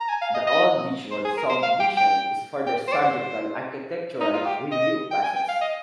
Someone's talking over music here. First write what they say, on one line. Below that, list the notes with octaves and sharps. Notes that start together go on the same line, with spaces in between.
The Old Beechwold subdivision is further subject to an architectural review process.
A#5
G#5
F5
D#5
D#5
C5
G#4
A#4
C5
F5
G5
G5
G5
C5
D5
C5
D#4
F4
G4
D#5
G5
G#5
G5
F5
D#5